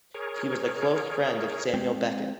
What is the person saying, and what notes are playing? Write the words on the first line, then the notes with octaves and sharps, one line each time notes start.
He was a close friend of Samuel Beckett.
G#4 A#4 C#5
G#3 C4 G5